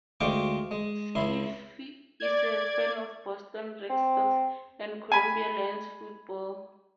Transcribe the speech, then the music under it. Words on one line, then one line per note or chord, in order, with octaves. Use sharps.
Schiff is a fan of the Boston Red Sox and Columbia Lions football.
D2 G#3 F4 G5 C#6 D6
G#3
C#2 E4 C6
D5 G#6
C4
G#5 B5